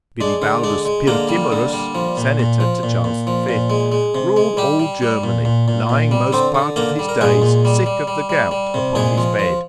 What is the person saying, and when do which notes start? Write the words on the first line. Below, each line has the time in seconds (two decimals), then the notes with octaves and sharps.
Bilibaldus Pirkimerus, senator to Charles the Fifth, ruled all Germany, lying most part of his days sick of the gout upon his bed.
0.21 G#3 D4
0.42 D3
0.63 G#3 D4
0.85 G#3
1.07 D3 A#3 A#4
1.29 G3
1.52 D3
1.73 G3
1.95 F3
2.17 A#2
2.39 A#2
2.60 F3
2.83 A#2
3.04 A#2
3.27 F3
3.49 A#2
3.70 G#3
3.92 G#3
4.15 C3
4.36 G#3
4.57 G3 G4
4.79 G3
5.02 G3
5.24 A#2
5.45 A#2
5.68 A#2
5.89 A#2
6.11 G3
6.33 D3 C4 C5
6.55 D3
6.76 D3 A#3 A#4
6.99 G3
7.09 A#4
7.21 A#2 G#3 G#4
7.42 A#2
7.65 G3
7.86 G3
8.07 G3
8.29 G3
8.51 G3
8.74 C3
8.95 A#2 G#3 G#4
9.17 F3
9.39 F3